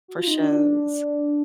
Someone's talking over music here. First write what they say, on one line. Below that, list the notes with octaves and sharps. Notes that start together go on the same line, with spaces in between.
for shows.
F#4
F4
D#4
D4